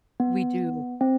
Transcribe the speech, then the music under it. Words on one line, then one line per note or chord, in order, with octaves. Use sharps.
We do.
B3
C4